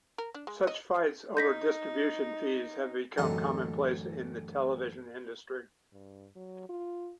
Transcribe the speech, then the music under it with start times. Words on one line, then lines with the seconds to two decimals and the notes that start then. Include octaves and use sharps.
Such fights over distribution fees have become commonplace in the television industry.
0.18 A#4
0.34 D4
0.47 G#3
0.67 D#5
1.37 D#4 G6 A#6 B6
3.18 A1 F#2 D3 D#4 C6
5.93 G2
6.36 F#3
6.69 F4